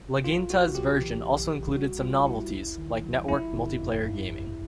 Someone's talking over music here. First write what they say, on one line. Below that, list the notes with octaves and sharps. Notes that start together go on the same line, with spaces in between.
Latinga's version also included some novelties like networked multiplayer gaming.
B1 F4
B1 F#4
B1 G4
E3
A#1
A#1
G3 F#4
G3 F4
A#1 E4
D#2
D#3
F#3
G1 E4
G1
F2
G2
A1